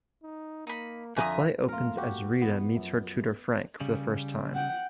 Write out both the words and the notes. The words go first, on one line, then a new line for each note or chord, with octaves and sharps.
The play opens as 'Rita' meets her tutor, Frank, for the first time.
D#4
A#3 D#4 B5
F2 D3 E5 G#5 A#5 D#6
F2 A#2 A3 F4 A#4
F#4 G4
B2 E3 B3
F#2 F3
C#3 G3
F#5 G5